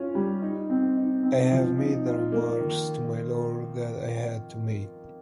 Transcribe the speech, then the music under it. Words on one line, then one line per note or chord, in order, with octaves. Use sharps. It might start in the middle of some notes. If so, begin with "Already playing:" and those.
I have made the remarks to my lord that I had to make...
Already playing: C#4 F4
G3
D#4
C4
D#4
C4
F3
D#4
F4
A#3
D#3